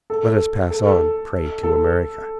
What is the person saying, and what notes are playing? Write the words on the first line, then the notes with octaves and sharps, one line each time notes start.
"Let us pass on, pray, to America."
A4
A4
A4
A4
A4